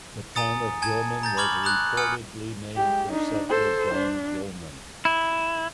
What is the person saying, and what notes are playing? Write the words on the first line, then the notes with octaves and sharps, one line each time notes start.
The town of Gilman was reportedly named for settler John Gilman.
G#5 A#5 D#6 A6 C#7
G#5 A5 G#6
A#5 G6 A6
B5 C#6 D6 F6 G#6 F#7
A#5 D#6 F#6 G#6
G#5 D#6 F6 C#7
G#3 G4
D4 D#4
A4 C5
D4
E4